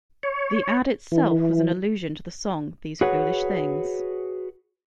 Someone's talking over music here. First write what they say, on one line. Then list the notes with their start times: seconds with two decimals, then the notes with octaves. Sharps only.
The ad itself was an allusion to the song, "These Foolish Things".
0.23 C#5
1.12 E3
3.01 F#4 G#4 B4 C#5 F#5